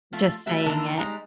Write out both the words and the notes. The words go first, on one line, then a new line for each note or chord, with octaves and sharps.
just saying it
F3 A3 F4
G3 A3 F#4 E5
D3 E3 A#3 A4 A#4 A5
G3 G#3 D#4 A#5